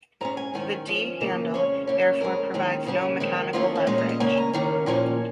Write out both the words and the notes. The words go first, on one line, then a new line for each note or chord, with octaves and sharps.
The D-handle therefore provides no mechanical leverage.
G#2 G#3 C#4 A#5
G#5
G#2 D#3 C#4 G#5
G#2 F3 C#4
D#2 C#3 A#3 D#5
F2 C#3 G#3 C#4 C#5
D#2 C#3 A#3 C#4
F2 C#3 G#3 C#4 A#4
D#2 D#3 G#3 C#4
C#3 A#3 C#4 G#4
F2 D#3 G#3
F2 D#3 A#3 C#4 F4
C#4
A#2 G#3 C#4 D#4
D#5
D#5
C#3 A#3 C#4 G#5
A#5
D#2 D#3 A#3 C#4
A#2 F3 A#3 C#4 G#5